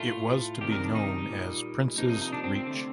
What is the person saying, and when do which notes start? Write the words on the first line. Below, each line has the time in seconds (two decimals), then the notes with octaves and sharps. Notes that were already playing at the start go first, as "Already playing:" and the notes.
It was to be known as "Princes Reach".
Already playing: A2 A3 F4
0.61 C3 D#3 G3 G4
0.72 A#4
0.84 D4
0.95 D#4
1.29 A#2 G3 A#3
1.98 C3 F3 A#3 D#4
2.10 D#4
2.22 D#4
2.32 D4
2.44 C4
2.55 C4
2.67 D3 A3